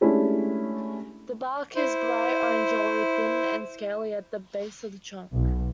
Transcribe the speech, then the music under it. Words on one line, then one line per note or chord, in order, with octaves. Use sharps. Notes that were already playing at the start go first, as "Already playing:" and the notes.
The bark is bright orange-yellow, thin and scaly at the base of the trunk.
G#3 A3 C#4 D4 E4 G4
E4 C5
B1